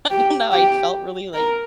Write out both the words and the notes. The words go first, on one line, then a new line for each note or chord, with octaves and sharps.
I don't know, I felt really, like
G4
G4
A#4